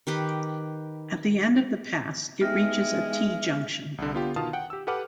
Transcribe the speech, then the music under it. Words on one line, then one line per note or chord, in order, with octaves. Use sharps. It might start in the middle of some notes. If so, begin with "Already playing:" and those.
At the end of the pass, it reaches a t-junction.
D#3 G4 B4
G#3 B3 D#4 G4 E5 F6 A#6
C2 D3
D3 B3 F4 G4
B2 D#3 F4 F5 A5 D#6
F#5 G5
G4 E6
G4 A4 B4 F#5 D6 F6